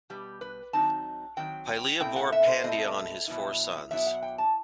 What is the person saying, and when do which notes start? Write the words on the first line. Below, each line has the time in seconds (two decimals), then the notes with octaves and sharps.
Pylia bore Pandion his four sons.
0.10 B2 G3 B3 G4
0.41 B4
0.73 D#3 F#3 C4 D#4 A5
1.37 D#3 F#3 C4 G5
1.69 G5
2.00 B2 A3 C4 E4 G5
2.16 F#5
2.32 E5
2.47 C5
2.64 B2 A3 C4 E4 D#5
3.28 B2 F#3 B3 E4
3.91 B2 F#3 B3 E4 E5
4.07 F#5
4.22 G5
4.38 A5